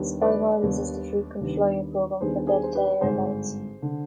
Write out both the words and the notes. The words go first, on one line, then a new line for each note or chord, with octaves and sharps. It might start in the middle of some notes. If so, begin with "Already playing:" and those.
SkyMiles is the frequent flyer program for Delta Air Lines.
Already playing: D#2 D#3 G3 B3 D4
B4 D5
D#2 D#3 G3 B3 D4
D#2 D#3 G3 B3 D4
D#2 D#3 G3 B3 D4 G#4 C5
G#4 C5
C5
G4 B4
G#1 G2 D3 G#4 C5
D3